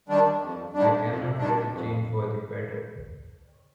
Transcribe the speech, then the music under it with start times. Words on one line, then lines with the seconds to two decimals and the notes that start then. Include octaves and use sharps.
I cannot really change for the better.
0.09 D#3 G3 D4
0.42 F2
0.73 D#3 G3 D4
1.07 F2
1.38 D#3 G3 D4
1.71 F2